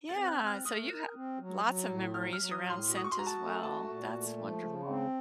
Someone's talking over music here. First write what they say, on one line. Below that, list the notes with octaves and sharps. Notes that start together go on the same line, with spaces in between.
Yeah, so you have lots of memories around scent as well. That's wonderful.
A6
C4
F#6
C4
F6
A3 D#6
A#4
C4
F#3
F#3
A2
F#3 F6
F6
F#3
D#6
A2
C6
F#4
D#6
C#6
F#4 C6
A#5
A5
A3
F#4 A5
A#2
A3
F3
C#3
C4